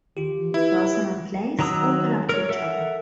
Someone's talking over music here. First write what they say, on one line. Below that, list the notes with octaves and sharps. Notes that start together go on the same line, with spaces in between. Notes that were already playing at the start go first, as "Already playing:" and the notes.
Person and place open up to each other.
D#3 F4 G4
E3
E4 B4
D#3 F#3 A#5 D#6 E6
A#4 C#5
A4 A#4 E5 F#5